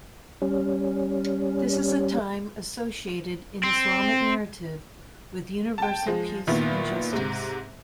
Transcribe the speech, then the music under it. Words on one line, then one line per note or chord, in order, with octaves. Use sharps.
This is a time associated in Islamic narrative with universal peace and justice.
G3 C#4
C4
G5 A5
F3 G#3
A#2 D#3 B3 E4
G#2 C3